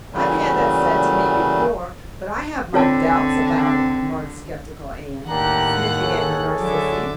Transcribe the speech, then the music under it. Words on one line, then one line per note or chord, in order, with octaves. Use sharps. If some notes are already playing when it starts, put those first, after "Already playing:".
"I've had that said to me before, but I have my doubts about it," remarked skeptical Anne, sniffing at her narcissi.
A#2 C#3 E3 F#3 G3 A3
D3 C4 F4 C#5 A5
D#2 A2 D4 G4 F#5 A#5 F#6
G#4 A4 C#5
D3 F#3 E5 D6